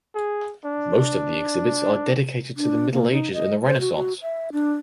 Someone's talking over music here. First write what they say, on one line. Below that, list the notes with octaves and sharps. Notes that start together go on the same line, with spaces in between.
Most of the exhibits are dedicated to the Middle Ages and the Renaissance.
G#4
D4
D4
A#3
D#4
D#5
C5
F#4
F#4
E5
D4